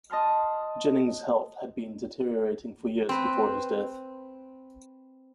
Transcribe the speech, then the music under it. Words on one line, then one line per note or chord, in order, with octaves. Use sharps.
Jennings's health had been deteriorating for years before his death.
D#5 A5 C6 F6
C4 B4